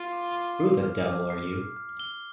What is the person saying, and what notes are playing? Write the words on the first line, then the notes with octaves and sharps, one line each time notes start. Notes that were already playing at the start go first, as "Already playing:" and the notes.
Who the devil are you?
Already playing: F4
D6
D6
C7
F6
D6
C7
F6
F6
G7